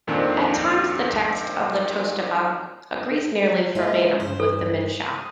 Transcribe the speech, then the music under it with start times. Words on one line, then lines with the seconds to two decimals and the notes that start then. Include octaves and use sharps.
At times the text of the Tosefta agrees nearly verbatim with the Mishnah.
0.07 F2 A#2 D#3 C4 D4
3.75 G#3 A#3 E4 F4
4.20 G2 C5
4.40 A4
5.14 D#6